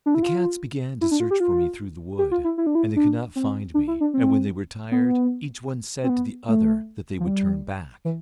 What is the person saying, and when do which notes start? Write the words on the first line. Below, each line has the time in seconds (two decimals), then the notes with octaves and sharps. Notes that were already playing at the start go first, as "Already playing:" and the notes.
The cats began to search for me through the wood, and they could not find me; and when they were tired, each one said to the other that they would turn back.
0.06 D4
0.15 E4
0.23 F4
1.01 E4
1.11 D4
1.20 F4
1.31 G4
1.40 F4
2.19 G4
2.31 F4
2.44 E4
2.58 E4
2.67 D4
2.75 E4
2.96 D4
3.36 C4
3.74 D4
3.88 E4
4.01 D4
4.14 C4
4.92 B3
6.04 C4
6.09 B3
6.48 A3
7.20 F3
7.27 G3
8.05 E3